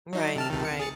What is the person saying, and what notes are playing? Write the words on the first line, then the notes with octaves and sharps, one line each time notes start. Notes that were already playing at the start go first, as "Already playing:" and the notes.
Right, right.
F#3 D#4
C3 A5 F6
C#2 C3 D#3
C#7
G#4 A6 C#7